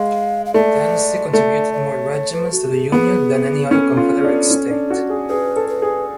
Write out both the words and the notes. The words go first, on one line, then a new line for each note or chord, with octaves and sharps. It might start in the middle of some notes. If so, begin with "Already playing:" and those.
Tennessee contributed more regiments to the Union than any other Confederate state.
Already playing: G#3 F5
F5
A3 D5
A3 D5
D5
C#5
C#5
B4
F#4
G#4
B3 G#4
C#4 A4
F4
D4
C#4
D4
F#4
G#4
G#4 B4
A4
B4
G#4